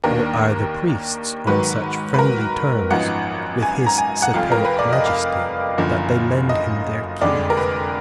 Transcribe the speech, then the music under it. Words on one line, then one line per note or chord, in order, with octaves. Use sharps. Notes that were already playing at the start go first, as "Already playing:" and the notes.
Or, are the priests on such friendly terms with his satanic majesty that they lend him their keys?
D#2 D#3 A#3 D4 A#4
G#2 D#3 F#3 B4
B4
A#4
G#1 F#2 F3 B3 D#4 F#5
G#5
A#5
G#5
F#5
F1 F2 F3 F5
A#4
B4
D5
D#5
F5
F#1 F#2 D3 F3
D#5
F1 F2 D3 G#3 D5
A#4
B4